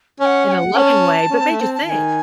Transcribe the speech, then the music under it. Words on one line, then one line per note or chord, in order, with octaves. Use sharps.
in a loving way, but made you think.
C#4 F#5 G#5
G#5
F#5
C#4 A5
C#4
C4
A3
C4
A5
D#3 G#5 A5